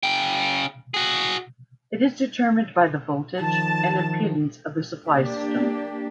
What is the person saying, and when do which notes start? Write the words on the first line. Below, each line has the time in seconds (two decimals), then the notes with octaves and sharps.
It is determined by the voltage and impedance of the supply system.
0.03 C#3 G5
0.94 F#4 G#4
3.40 D#3 F3 A5
5.07 A#3 D4 G4